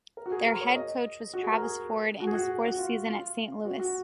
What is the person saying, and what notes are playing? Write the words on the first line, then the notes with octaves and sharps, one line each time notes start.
Their head coach was Travis Ford in his fourth season at Saint Louis.
A#4
F#4
G#4
A#4
C#5
D#5
F#4
G#4
A#4
G#4
F#4
G#4
F#4
F#4
F4
F4
F#4
F#4